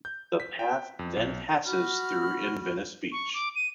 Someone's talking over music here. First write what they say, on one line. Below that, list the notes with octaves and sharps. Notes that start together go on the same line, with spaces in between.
The path then passes through in Venice Beach.
G6
B6
G5
F2
B1
F#4 B5 F6
C#6
D6
D#7